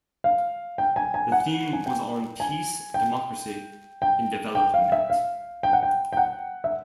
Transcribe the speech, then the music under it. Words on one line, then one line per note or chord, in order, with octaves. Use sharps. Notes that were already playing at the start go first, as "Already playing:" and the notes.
The theme was on peace, democracy, and development.
F5
G5
G#5
G#5
F#5
G#5
G5
G#5
G5
G5
G5
F5
E5
F5
G5
F#5
G5
G5
F#5
E5